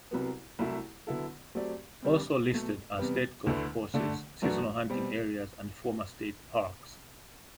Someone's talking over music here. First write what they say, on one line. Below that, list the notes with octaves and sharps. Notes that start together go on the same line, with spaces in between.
Also listed are state golf courses, seasonal hunting areas, and "former" state parks.
C2 C3 F#3 B3
C2 C3 F#3 A3 E4
D3 F#3 B3 E4 A4
F#3 A3 C4 G4 D5
C3 G3 D4
B2 F#3 A3
E2 C3 G3 B3
D2 D3 A3 E4 B4
D3 A3 D4
F#2 E3 A3 D4 F#4
B2 G3 C4